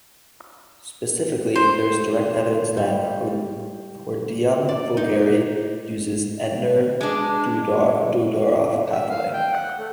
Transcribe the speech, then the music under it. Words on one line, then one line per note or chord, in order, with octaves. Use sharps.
Specifically, there is direct evidence that "Hordeum vulgare" uses the Entner-Doudoroff pathway.
C5
G3
D5
D#4
G#3 D4
E5
F5
G5
F#5
A3